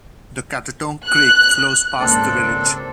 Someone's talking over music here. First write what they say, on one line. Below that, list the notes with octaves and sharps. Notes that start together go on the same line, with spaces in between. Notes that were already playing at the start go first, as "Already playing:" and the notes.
The Catatonk Creek flows past the village.
F#6
G#1 C#2 A#3 C4 D4 A4